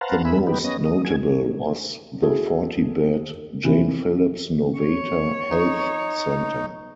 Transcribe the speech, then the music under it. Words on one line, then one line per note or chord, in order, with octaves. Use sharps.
The most notable was the forty-bed Jane Phillips Nowata Health Center.
B4 C5 F5 F#5 A5 A#5
G#4 E5 B5
B3 D#4 G4 B4
B3 C#4 D#5 A#6
D#5
F#3 G#4 G#6
E4 F#4 G#4 A4
C3 E3
C#5
D#4